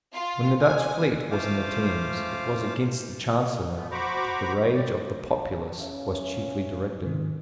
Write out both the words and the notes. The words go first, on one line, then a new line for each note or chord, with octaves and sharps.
When the Dutch fleet was in the Thames, it was against the Chancellor that the rage of the populace was chiefly directed.
F4
G#5
A3 C#4 F4 C5 F5 D6
E3 F3 A3 B3
F#4 C5 A#5 B5 C#6 D6
G4 D5
C#4 E5 F5
G#2 C3 D#3